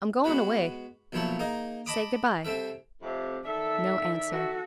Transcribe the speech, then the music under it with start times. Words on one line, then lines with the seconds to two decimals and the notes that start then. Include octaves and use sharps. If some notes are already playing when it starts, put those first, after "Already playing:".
I'm going away; say good-by.' No answer.
0.24 G#3 B3 F#4 B4
1.13 B1 A#2 F3 E4 C#5 A5
1.39 A#3 D#4 G#4 D#5
1.86 D#5 A5 B5 D6 D#6
2.45 C2 C4 A4 E5
3.02 F2 A2 C3
3.45 D#3 A4 D5 E5
4.28 F#4 A4